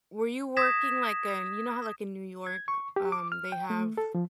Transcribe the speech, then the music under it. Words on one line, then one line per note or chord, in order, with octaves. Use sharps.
Were you working, like, in you know how, like, in New York, um, they have,
D#6 G#6 A#6 B6 E7
G#6
C#6
G4
D6
F6
G5
A3
A4
F3